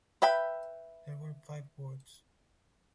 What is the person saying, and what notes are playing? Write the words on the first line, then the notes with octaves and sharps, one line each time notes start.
There were five wards.
B4 E5 G5 B5